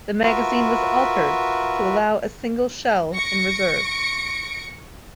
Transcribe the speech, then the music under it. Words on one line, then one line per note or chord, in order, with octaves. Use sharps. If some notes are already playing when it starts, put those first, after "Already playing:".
The magazine was altered to allow a single shell in reserve.
F4 F#4 A#4 B4 E5
C#6 A#6 C#7 D7